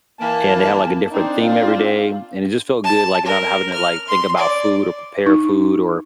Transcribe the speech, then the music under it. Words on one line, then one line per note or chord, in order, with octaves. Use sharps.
and they had, like, a different theme every day, and it just felt good, like, not having to, like, think about food or prepare food or
E3 A#3 A5
C4 D4 D#4
F4
A5
A#4
F6
C6
D5
D#4